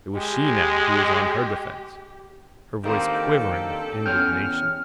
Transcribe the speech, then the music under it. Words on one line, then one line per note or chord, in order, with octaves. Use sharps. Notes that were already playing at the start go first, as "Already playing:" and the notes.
It was she now who was on her defence, her voice quivering with indignation.
G#3 G4
D#3 A#3 C4 D4 G4 A4
E2 C#4 G5 F6